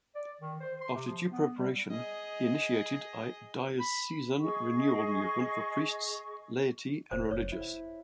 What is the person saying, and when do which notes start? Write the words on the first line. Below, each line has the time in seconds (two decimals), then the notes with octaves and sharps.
After due preparation, he initiated a Diocesan Renewal Movement for priests, laity and religious.
0.15 D5
0.41 D#3
0.61 C5
0.80 C6
0.94 C3
1.06 F3
1.31 B3
1.57 G3
1.90 G#4 D#5
3.80 B5
4.40 G#4 D#5 C#6
7.11 F1 C5
7.31 F#1 C#5
7.52 E4